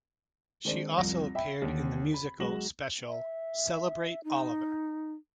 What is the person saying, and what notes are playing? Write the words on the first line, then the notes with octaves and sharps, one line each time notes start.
She also appeared in the musical special Celebrate Oliver!
D#3 G#3 C4 D4 D5
C2 F2 A#6
E5 G5 B5
D#2 D3
B5
B1 G#3 F#4 A#6 E7 F#7
E5
D#4